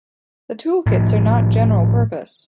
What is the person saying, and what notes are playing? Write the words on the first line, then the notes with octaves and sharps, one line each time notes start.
The toolkits are not general purpose.
A2 F3